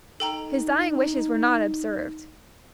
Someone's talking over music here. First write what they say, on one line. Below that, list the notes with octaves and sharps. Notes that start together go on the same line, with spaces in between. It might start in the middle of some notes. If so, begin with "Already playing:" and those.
His dying wishes were not observed.
D#4 A4 G5 A#5